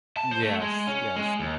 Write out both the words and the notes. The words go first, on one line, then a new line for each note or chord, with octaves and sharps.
Yes, yes.
A5
C5
A3
G#3
C#4
G#3
D#2